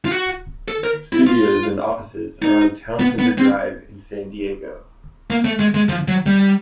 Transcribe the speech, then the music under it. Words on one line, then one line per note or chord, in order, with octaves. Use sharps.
Studios and offices are on Towne Center Drive in San Diego.
F4
F#4
A4
A#4
E4
F4
D#4
B3
B3
C4
A#3
A3
G#3
G#3
F3
F#3
G3